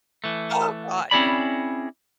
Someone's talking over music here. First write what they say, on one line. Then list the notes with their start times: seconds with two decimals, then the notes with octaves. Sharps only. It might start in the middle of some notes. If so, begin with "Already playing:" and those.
Oh god!
0.24 E3 A3
1.11 C4 C#4 E4 G#4 D5 B5